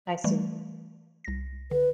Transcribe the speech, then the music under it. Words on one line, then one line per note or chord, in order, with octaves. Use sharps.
I see.
E3 G3 A3
C2 A#6
D3 B4